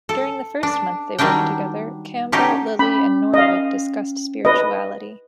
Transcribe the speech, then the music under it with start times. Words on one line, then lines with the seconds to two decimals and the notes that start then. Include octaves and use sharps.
During the first month they worked together, Campbell, Lilly, and Norwood discussed spirituality.
0.09 A4
0.63 D4
1.19 D#3 F#3 G3 D4 G5
2.32 D3 C#4 D#4 G4
2.79 C#4 B5
3.34 D#5 F5
4.45 B4 D#5